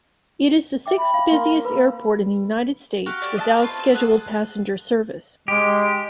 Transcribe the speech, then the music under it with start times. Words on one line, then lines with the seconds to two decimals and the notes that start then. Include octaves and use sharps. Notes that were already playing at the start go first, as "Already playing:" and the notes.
It is the sixth-busiest airport in the United States without scheduled passenger service.
0.86 E5 G5 D6
0.98 B5
1.14 F5
1.31 A#3 C6
1.65 B4 B5
3.06 F#4 G4 F5
3.22 G4 A4 C#5 D5
3.37 D#5 E5 A5
3.62 C4 F4 B4
3.80 E6
3.95 G#4 A4 D#5 F#5
5.48 G#3 G4